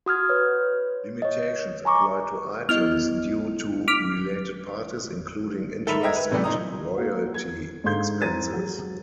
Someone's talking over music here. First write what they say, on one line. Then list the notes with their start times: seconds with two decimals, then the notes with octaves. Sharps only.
Limitations apply to items due to related parties, including interest and royalty expenses.
0.06 F#4 D#6 F6 G#6
0.29 B4 C#5
1.22 C#5 D#5
1.85 G#5 A#5 C#6 D6
2.69 B3 E4 D#5 F6
3.88 D6 F6 B6
5.86 D#3 A4 A#4 E5 B5 F7
6.03 D#5 E5 G5 A#5 E6 G#6
6.16 B4
6.31 A2 C3 E3 G3 A3 B3
6.44 A#2 C4 D#4 A#5 D#6
6.97 A#3 F#4
7.34 G#6
7.84 G#2 D3 A4 F5 C6 G6
8.21 F2 E3 C5 A#5 A6 D#7
8.53 F#3 G#3 F#4 G4